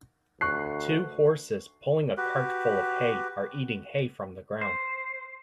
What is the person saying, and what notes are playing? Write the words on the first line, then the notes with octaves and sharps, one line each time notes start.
Two horses, pulling a cart full of hay, are eating hay from the ground.
D2 C#6 F#6 C7
F#4 G4 B4
C5